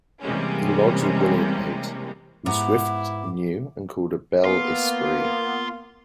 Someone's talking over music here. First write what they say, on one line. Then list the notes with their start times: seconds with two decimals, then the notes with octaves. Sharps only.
He lodged with William Pate, whom Swift knew and called a ""bel esprit"".
0.21 C3 E3 G3 G#3 A#3 C#4
2.46 G#2 B3 E4 G4 A#5 D6
4.44 A#3 B3 F4 B4 F5